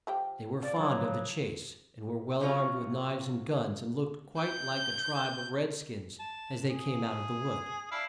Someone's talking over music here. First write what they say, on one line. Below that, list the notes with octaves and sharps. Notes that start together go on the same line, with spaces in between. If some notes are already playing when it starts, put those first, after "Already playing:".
They were fond of the chase, and were well-armed with knives and guns, and looked quite like a tribe of red-skins as they came out of the wood.
F3 G4 G5
F3 D5
C#3 F3 F#3 D4
A2 C3 F#3 C#4 F4
G6
A5
G#4
D4 E4 F5